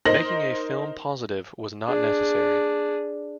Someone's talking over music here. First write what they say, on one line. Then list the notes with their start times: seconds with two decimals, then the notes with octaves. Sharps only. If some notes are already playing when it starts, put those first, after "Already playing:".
Making a film positive was not necessary.
0.05 D#4 A#4 C5 A#6 F#7
1.87 D4 G#4